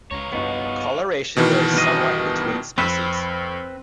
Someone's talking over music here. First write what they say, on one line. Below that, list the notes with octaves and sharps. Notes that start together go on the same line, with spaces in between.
Coloration varies somewhat between species.
C#2 F4 C#5 A#5
C2 G2 B3 D#4 F#4
B2 D#3 E3
E2 G2 D#5
F2 C4 B4 E5